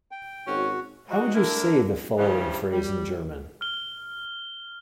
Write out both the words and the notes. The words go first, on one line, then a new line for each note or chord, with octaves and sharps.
How would you say the following phrase in German?
G5
G#1 C#4 F#4
G#3 D#4 F#4
D3 D4 E4 A#4
G2 C#3 E3 F3 F4 G4
G3
F6 G7